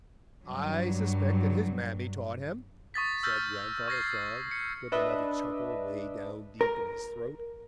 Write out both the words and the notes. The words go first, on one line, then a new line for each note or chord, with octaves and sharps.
"I suspect that his mammy taught him," said Grandfather Frog, with another chuckle way down deep in his throat.
G2 F#3
C#6 D#6 A6 B6
E6 F6 G6 A6 A#6
C#6 G#6 A#6 C7
C#7
D4 B4 D#5 E5
A#4